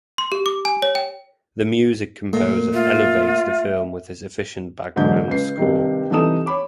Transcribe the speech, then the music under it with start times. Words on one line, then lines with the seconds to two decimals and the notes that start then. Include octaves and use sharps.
The music composer elevates the film with his efficient background score.
0.18 C6
0.32 G4
0.46 D6
0.65 G#5
0.82 C#5
0.95 G5
2.33 A#2 A3
2.73 F4 E5
4.96 E2 G#2 D3 F#3 D4 G6
5.28 C#2 B4 C7
5.57 G2 C3 D#3
6.10 C2 E3 D#4 A4 D#6 E7
6.46 C#5 B5 D6